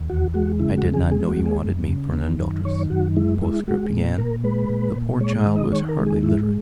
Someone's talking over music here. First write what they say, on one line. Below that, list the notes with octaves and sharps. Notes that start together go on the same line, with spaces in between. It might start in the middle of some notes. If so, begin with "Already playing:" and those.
"I did not know you wanted me for an adulteress," the postscript began. The poor child was hardly literate.
Already playing: D#2
E2 F#4
G#3 F#4
C#3 E4
F#4
E2
G#4
G#3 G#4
F#4
G#3
G#4
F#2
C#3
D#3
F#2
D#3 C#5
F#2 F#4
G#3 E4
G#3 E4
G#3 F#4
A#2
A#2 A#4
G#3 B4
A#2
A#2
G#3 C#5
D#5
D#3
D#5
D#3 C#5
A#4
G#3
G#4
G#2 E4